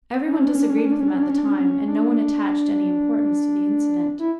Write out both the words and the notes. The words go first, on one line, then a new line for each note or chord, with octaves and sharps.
Everyone disagreed with him at the time, and no one attached any importance to the incident.
C#4
D4
C#4
D4
C#4
D4
C#4
D4
C#4
D4
C#4
D4
C#4
D4
C#4
D4
C#4
D4
C#4
D4
E4